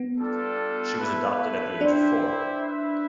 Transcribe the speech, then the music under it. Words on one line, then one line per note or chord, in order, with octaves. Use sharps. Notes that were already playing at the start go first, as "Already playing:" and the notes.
She was adopted at the age of four.
Already playing: B3
G3 D4 F4 A4
A3 E4 B4
D4 E4 G4 C5 E5
E4 B4 E5